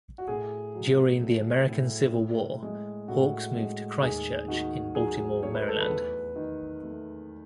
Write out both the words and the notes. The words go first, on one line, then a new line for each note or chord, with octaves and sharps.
During the American Civil War, Hawks moved to Christ Church in Baltimore, Maryland.
F#4
A2 G#4
F#3
A3
A2
A2
G#3
A2 F#4
G#3
D#2 G#4
D#3 F#4
F#3 G#4
A3 C#5
B4
A4
B4
E2
D#3
A3